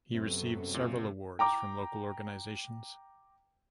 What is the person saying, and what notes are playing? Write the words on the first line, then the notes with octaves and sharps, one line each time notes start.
He received several awards from local organizations.
F#2 C3 B3 A4
A#2
G5 A#5 D6